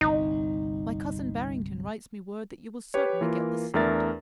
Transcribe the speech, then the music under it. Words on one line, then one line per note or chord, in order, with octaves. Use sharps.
My cousin Barrington writes me word that you will certainly get the seat.
G1 C2 D#4
G4 B4 C#5
E3 A#3 F4 A#4
E2 A3 D4 A#4 E5 A6